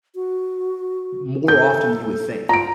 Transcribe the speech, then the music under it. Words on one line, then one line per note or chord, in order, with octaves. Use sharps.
more often than you would think.
F#4
A4 G6
F4 A#5 D7